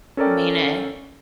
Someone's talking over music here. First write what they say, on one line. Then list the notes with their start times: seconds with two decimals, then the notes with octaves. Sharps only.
I mean it
0.17 C#4 A4 A#4 D5 G5